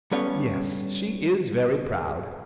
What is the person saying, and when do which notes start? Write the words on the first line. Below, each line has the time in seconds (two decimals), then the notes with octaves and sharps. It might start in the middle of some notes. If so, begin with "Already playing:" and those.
"Yes, she is very proud."
0.11 G3 B3 C#4 A4 C#5 F5